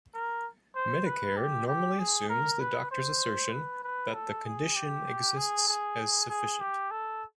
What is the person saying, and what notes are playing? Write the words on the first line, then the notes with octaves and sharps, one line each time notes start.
Medicare normally assumes the doctor's assertion that the condition exists as sufficient.
A#4
C5
B4
G4
G4
G#4
A#4
B4
C5
B4
B4
A4
G#4
G4
G#4
G#4
G#4
G4
A4